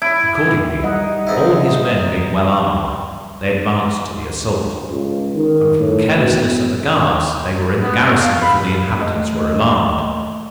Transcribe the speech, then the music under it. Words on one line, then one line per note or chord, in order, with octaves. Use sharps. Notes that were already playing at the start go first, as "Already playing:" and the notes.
Accordingly, all his men being well armed, they advanced to the assault; and, from the carelessness of the guards, they were in the garrison before the inhabitants were alarmed.
E4
G3 D#4 D#5 F#5
E2 C4 E4
C#2
D#3
A2
B2
B3
A3
F5
B5
A3 D#5